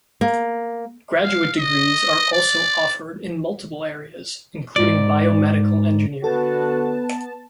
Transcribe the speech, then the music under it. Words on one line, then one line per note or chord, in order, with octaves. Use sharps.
Graduate degrees are also offered in multiple areas, including Biomedical Engineering.
A#3
F5
D#5
D5
G#2 D5
D3 B3 F#4 A4 B4 A5